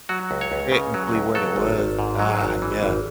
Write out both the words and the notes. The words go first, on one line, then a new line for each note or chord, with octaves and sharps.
Technically what it was. Ah, yeah.
F#3 F#4
C#2
C#5
C#2
C#3
F#3
C#2
F#3 A4
G#1
G#1
G#2
F#3
G#1
E3
G#1